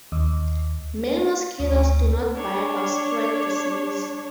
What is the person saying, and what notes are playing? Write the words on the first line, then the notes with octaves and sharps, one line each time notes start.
Male mosquitoes do not bite or spread disease.
D#2
D2
D4 C#5